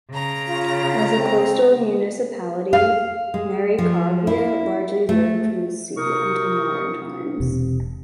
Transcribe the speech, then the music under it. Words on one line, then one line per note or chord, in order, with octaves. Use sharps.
As a coastal municipality, Merikarvia largely lived from the sea until modern times.
C#3 A#5
F4
C4
F5
G#3
F3
E4
A3
C3 D#4 A#4 C#6 D#6
E1 C3